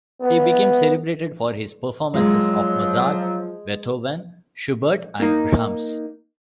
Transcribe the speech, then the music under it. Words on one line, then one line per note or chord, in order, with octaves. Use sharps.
He became celebrated for his performances of Mozart, Beethoven, Schubert and Brahms.
B3
F3 F#3 G#3
A#3 D#4